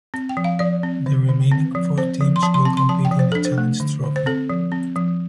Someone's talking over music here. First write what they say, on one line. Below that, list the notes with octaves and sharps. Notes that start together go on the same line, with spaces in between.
The remaining four teams will compete in the Challenge Trophy.
C4
G5
F3
F5
F3 D5
C4
D3
D3
C4
F3
C4 C5
F3
C6
F3 A5
C6
C4 A5
C6
F3 A5
G5
F3
C5
D4 A4
C5
A3
D3
D3
C5
C4 A4
F3
C4
F3